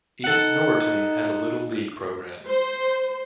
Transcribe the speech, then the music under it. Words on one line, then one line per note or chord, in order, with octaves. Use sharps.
East Norriton has a little league program.
D#4 A4 F#5
C5